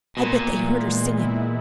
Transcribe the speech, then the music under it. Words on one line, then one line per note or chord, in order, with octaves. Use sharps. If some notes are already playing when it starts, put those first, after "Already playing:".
I bet they heard her singin'!
B2
A#2 B3
E3
G#3
E4